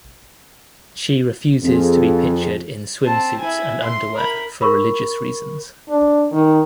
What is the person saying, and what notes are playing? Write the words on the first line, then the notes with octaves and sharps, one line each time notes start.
She refuses to be pictured in swimsuits and underwear for religious reasons.
F2 C4 F4 G#4
C4 A5
E4 G#5
C6
A#4 B5
A#4 B5 C#6
D4
D#3